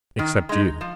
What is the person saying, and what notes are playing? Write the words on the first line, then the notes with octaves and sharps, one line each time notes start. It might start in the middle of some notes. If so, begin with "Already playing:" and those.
"Except you."
D#3
G#3 D#4
F3